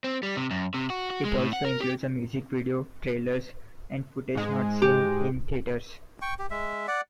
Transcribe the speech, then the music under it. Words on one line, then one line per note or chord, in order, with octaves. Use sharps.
It also includes a music video, trailers, and footage not seen in theaters.
C4
G3
C3
F#2
C3
F#4
F#4
G#3
A2
F#5
A#4
G4
G#2 G#3
G4
G5 C#6
G4
G#3 E5
D5 F#5